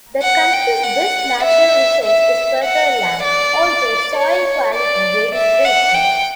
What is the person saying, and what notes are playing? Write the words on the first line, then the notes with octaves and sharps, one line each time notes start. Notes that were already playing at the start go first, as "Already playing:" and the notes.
The country's best natural resource is fertile land, although soil quality varies greatly.
F#5
G5
F#5
E5
E5
F#5
D5
C#5
D5
E5
F#5
G5